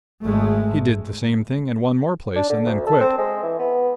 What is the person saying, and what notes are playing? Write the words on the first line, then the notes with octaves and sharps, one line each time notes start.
He did the same thing in one more place and then quit.
G#1 G#3 A3
D4
D3
D2
A4
C4
G#3
E3
B3